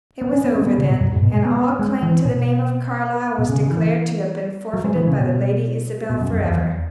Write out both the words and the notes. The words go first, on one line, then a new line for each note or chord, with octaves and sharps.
It was over, then, and all claim to the name of Carlyle was declared to have been forfeited by the Lady Isabel forever.
B3
C#4
B3
C#4
G#3
B3
C#3
B2
F#2
G#2
B2
G#3
B3
B3
G#3
E3
B2
B2
C#3
C#3
E3
F#3
G#3
E3
C#3
B2
B2
F#2
F#2
E2
E2